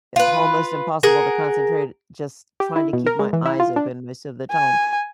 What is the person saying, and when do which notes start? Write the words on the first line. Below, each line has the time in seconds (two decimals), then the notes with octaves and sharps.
eh, almost impossible to concentrate just trying to keep my eyes open most of the time.
0.16 F4 B4
1.03 G#4 A#4 F#5
2.60 G4
2.76 E4
2.93 B2
3.06 A#4
3.19 G#3
3.33 E3
3.46 E4
3.60 F4
3.76 D4
4.51 G#5